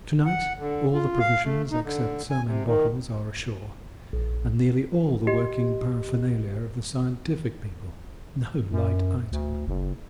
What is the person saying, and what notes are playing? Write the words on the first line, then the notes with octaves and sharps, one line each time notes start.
To-night all the provisions except some in bottles are ashore and nearly all the working paraphernalia of the scientific people--no light item.
F#5
D3
F4
F5
A3
D#4
D3
G#5
C3
D#3
A#1
G4 D#5
F#2
D2
F#1